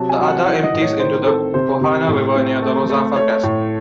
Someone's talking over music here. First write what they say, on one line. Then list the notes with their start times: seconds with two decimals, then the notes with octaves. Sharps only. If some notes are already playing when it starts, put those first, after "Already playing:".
The other empties into the Bojana River near the Rozafa Castle.
Already playing: C3 F#3 A5
0.09 G#5
0.18 F#3
0.28 F#5
0.46 E3 F#5
0.63 D#5
0.73 A2
0.82 C#5
0.99 D#3 C5
1.26 C4 A4
1.54 C3 C5
1.81 C3
2.08 A2
2.36 C4
2.62 A3
2.90 A3
3.16 A3 C#5
3.43 A2